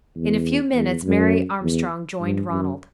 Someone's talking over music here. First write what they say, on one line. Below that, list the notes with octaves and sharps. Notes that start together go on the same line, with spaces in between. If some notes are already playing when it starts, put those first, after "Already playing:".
In a few minutes Mary Armstrong joined Ronald.
E2
E2
F#2
E2
G2
F#2